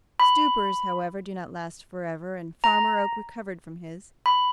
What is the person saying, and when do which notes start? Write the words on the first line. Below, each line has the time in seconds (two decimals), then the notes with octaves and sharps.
Stupors, however, do not last for ever, and Farmer Oak recovered from his.
0.20 B5
2.64 A#5
4.26 B5